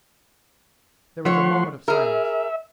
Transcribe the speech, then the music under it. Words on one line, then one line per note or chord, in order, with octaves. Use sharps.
There was a moment of silence.
F3 A3 C#5 F#5 C6
G#4 A#4 E5